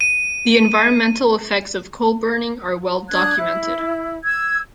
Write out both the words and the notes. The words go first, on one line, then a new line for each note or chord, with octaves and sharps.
The environmental effects of coal burning are well documented.
D#7
D4 D#6 F#6 G#6
E4
E6 G#6